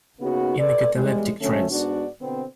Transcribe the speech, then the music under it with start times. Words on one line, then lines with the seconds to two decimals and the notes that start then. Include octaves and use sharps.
In a cataleptic trance.
0.20 C#3 A#3 B3 D#4 F#4
0.58 A4 B4 D5
0.95 E2 A2 G3 G#3
1.40 D3 F#3 A3 C#4
1.71 G#2 B3 D4 F#4 D5
2.21 B2 D3 B3 C4